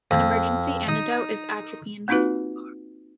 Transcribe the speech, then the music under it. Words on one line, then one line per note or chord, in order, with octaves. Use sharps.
An emergency antidote is atropine.
F2
D#4
A#3 C4 D#4 F4 F#4 B4